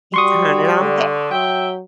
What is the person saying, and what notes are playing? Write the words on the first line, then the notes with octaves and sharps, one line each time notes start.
You turn it on back.
G3 F#4 C6 C#6 D#6
D3
F#3 E5 G5